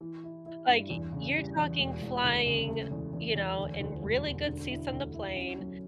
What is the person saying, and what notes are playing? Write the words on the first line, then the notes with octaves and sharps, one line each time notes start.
Like, you're talking flying, you know, in really good seats on the plane,
E3
E4
E4
G2
E2
C#3
G3
E2
E1
E1
D2
C#3
A3
E2
E2
E2
D2
D2
E1
E1
D3
E4
D2
E4
C#4
F#3